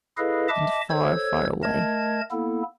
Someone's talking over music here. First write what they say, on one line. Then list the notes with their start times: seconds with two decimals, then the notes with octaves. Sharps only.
And far, far away.
0.17 E4 G#4 A4 B4 D#5 F5
0.49 D#5 E5 A5 D6
0.90 A4 C5 C#5 E6 G#6
1.63 A3 A#4 D#5 A5 G#6
2.31 A#3 B3 E4 A4